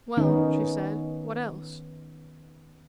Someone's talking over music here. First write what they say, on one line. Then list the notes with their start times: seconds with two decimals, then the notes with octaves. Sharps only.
"Well," she said, "what else?"
0.17 D#3 B3 C#4 D#4